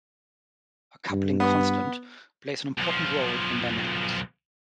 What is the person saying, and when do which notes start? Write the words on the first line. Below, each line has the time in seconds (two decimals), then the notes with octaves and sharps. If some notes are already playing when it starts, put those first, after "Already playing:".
A coupling constant plays an important role in dynamics.
1.10 G2
1.40 B3
2.78 B1 F3